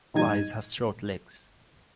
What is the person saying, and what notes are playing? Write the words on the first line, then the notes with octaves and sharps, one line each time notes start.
Lies have short legs.
E2 G2 D#4 G#6 D#7